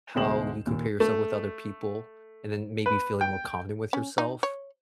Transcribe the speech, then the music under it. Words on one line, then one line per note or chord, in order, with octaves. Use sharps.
how you compare yourself with other people and then maybe feeling more confident with yourself?
D2 B2 G#3 C5 E7 F#7
D#2 A#2
A3
B4
G5
C#4
D#4
C#5